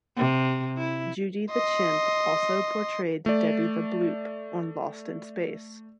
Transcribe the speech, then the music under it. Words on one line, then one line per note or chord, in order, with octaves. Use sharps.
Judy the Chimp also portrayed "Debbie the Bloop" on "Lost in Space".
C3
E4
D#5 C6
A3 D5